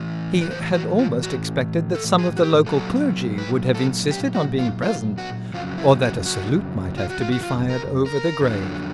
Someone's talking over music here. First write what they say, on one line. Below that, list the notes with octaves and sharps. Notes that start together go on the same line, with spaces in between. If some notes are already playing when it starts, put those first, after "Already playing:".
He had almost expected that some of the local clergy would have insisted on being present, or that a salute might have to be fired over the grave.
Already playing: A2 E3
B4
C5
F#4
F4
F#4
A4
G#4
F#4
G4
A#2 F#3 A4
B4
A4
G4
F#4
F4
F4
F#4
F2 C#3 F#3 F4
E4
F#4
F#4
F4
F#4
F4
F#4
F4
A#4
A#4
F2 D3 F#3